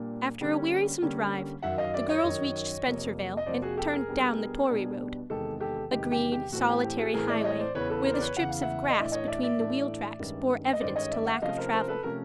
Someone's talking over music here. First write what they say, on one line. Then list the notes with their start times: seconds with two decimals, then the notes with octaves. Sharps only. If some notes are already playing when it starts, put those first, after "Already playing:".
After a wearisome drive the girls reached Spencervale and turned down the "Tory" Road . . . a green, solitary highway where the strips of grass between the wheel tracks bore evidence to lack of travel.
Already playing: A#2 G3 A#3 D4
0.41 D3 G3 A#3 C#4
1.02 D3 G3 A#3 C#4
1.62 F#2 D#3 F#3 E5 F#5
1.78 D#5 F5
1.94 D5 E5
2.09 C#5 D#5
2.24 F#2 D#3 F#3
2.85 F2 C3 F3 A#3
3.37 D#5
3.46 F2 C3 F3 A#3 C5 D5
3.62 F#4 G#4
3.77 G4 A4
3.92 G#4 A#4
4.07 B2 G3 B3 D4
4.69 B2 G3 B3 D4
5.30 E2 C3 D#3 G#3 G4 A4
5.60 G4 A4
5.91 E2 C3 D#3 G#3 G4
6.12 G4
6.32 G4
6.52 A2 E3 A3 C4 F#4
6.68 G4
6.83 G4
6.98 F#4 G#4
7.14 A2 E3 A3 C4 G#4 A#4
7.29 D5 E5
7.44 C#5 D#5
7.59 C5 D5
7.75 E2 C#3 E3 B4 C#5
7.90 A4 B4
8.05 A#4 C5
8.14 D5
8.21 B4 C#5
8.36 E2 C#3 E3 F#5
8.49 F5
8.61 E5 F#5
8.90 D#5
8.97 A2 E3 A3 D4 D5 E5
9.12 C#5 D#5
9.27 D5 E5
9.43 D5 E5
9.59 A2 E3 A3 D4
10.19 G2 D#3 G#3 C#4
10.73 D#5
10.80 G2 D#3 G#3 C#4 C5 D5
10.96 C#5 D#5
11.11 D5 E5
11.26 E5 F#5
11.42 C3 F3 A3 C#4 D#5 F5
11.57 A#4 C5
11.73 A#4 C5
11.88 A4 B4
12.03 C3 F3 A3 C#4 A#4